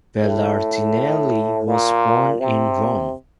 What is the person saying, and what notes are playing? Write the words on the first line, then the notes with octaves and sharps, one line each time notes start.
Belardinelli was born in Rome.
A2
A#2
C3